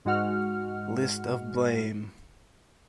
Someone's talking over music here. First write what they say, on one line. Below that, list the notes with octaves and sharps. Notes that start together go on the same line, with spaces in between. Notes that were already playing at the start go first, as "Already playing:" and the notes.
List of Blame!
G#2 G#3 F#4 F#5 F6